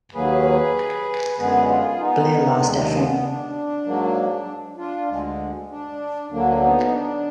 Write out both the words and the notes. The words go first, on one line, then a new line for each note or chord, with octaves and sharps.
Play Lastfm.
D#2 D#3 F#3 A#3 G#4 B4
F#2 D3 G#3 B3 G#4 B4
F4 G#4
B3 D#4
D#2 D#3 G#3 D4
B3
D4
G#2 F#3 A#3
D4 F4
D2 D3 G#3
D4
D2 D3 F#3 A#3 D4
B3 D#4
D4